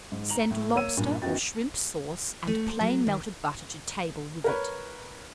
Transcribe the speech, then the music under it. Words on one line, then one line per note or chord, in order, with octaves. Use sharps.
Send lobster or shrimp sauce and plain melted butter to table with it.
G#2
A#5 F7 F#7
A2
A#3 C#5 E6 D#7
G2 A#2
F#2 B3 D#4 F#4 G5 A6
A3
C5
F#3
D#3
A#4 B4 C#5